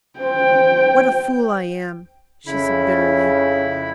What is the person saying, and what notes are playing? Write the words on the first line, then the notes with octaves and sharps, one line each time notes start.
"What a fool I am!" she said bitterly.
C5 G5
F2 C#3 E4 B5